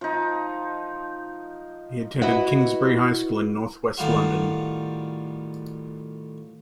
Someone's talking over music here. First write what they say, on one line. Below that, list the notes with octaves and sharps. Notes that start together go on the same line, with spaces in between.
He attended Kingsbury High School in North West London.
F3 D#4
E4 F#4 B4 D#5 E5 F#5
A2 D#3 G3 F4 F#4